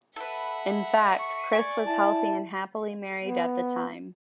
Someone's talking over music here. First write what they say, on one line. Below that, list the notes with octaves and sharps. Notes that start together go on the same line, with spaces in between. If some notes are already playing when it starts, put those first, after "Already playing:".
In fact, Criss was healthy and happily married at the time.
A4 B4 E5 F#5
C#6
D5 G#5
E4 A5
B3